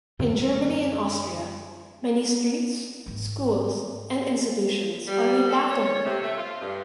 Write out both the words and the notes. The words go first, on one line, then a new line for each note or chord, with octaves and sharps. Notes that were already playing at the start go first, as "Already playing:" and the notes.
In Germany and Austria, many streets, schools and institutions are named after her.
F#2 D3 E3 C4
G#2 D#3
G3
A4
C#5
C3
A3
F4
G2